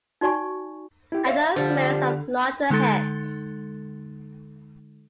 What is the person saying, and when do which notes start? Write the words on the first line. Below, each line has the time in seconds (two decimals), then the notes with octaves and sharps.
Adult males have larger heads.
0.21 D#4 F#4 D5 G#5 C#6
1.12 E4 G4
1.26 C#5 E5 F5
1.56 D3 F3 G3
2.70 D3 G#3 D#4 A4 A6